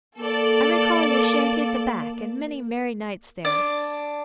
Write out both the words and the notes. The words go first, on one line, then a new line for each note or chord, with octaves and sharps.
I recall your shanty at the back and many merry nights there.
A#3 A4 D5
D4